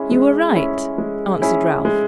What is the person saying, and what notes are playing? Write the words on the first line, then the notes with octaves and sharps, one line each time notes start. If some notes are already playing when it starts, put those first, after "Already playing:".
'You were right,' answered Ralph.
Already playing: G#3 C#4 E4 G#4
G#3
C#4 E4 G#4
G#3
C#4 E4 G#4
G#3